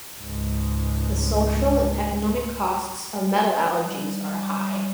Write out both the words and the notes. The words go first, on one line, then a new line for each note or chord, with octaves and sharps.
The social and economic costs of metal allergies are high.
C#2 G#2
G3